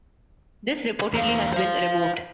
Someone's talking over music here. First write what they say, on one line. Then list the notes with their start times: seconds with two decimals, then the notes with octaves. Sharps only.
This reportedly has been removed.
1.13 E2 A#3 A#4 C5 F5
1.54 C5 F5